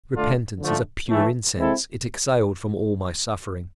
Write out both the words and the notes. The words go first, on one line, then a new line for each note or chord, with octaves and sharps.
Repentance is a pure incense; it exhaled from all my suffering.
D3 A3 D4 F4
D3 F3 A3
A2 E3 A3
G#3 C4 E4 A4